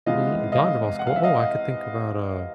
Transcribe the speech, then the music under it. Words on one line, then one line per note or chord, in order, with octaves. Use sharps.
Me uh, dodgeball's cool Oh, I could think about, uh
C3 E3 G#3 B3 D#5 F5
D#5 F5
F#5
F5
E5
D#5 F5